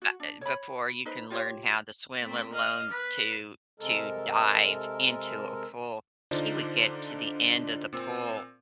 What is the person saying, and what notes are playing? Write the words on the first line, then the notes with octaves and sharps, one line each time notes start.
ah, uh, before you can learn how to swim, let alone to to dive into a pool. She would get to the end of the pool,
F#4
D4
C#5 B5
D#4 B4 C5
F4 G4 C#5
A3 C4
D#5 F5
B4
C3 G#3 A4 A#4
D3 D4 D#4 F4 C5
A#2 C4